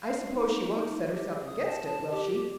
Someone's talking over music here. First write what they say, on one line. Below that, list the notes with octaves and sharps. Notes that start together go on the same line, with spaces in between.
"I suppose she won't set herself against it; will she?"
F5
D#4
E4
G4
G#4
D#6
A5
A5
G4